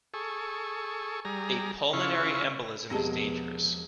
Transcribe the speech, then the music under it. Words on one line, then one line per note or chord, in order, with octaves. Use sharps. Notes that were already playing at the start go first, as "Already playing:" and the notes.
A Pulmonary Embolism is dangerous.
G#4 A4 C#6
G3 G#4 A#5
C#3 E4 F4 C#6
E1 F3 G#3 B3 C4 G4 A5 A#5